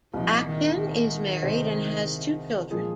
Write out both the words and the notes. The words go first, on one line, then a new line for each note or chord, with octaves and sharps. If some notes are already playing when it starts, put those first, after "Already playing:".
Acton is married and has two children.
C2 A#2 F3 G#3 D#4 G#4
D#3
D#3
C2 C3 G#3 D#4 C5
A#2 F3 G#3 F4 G#4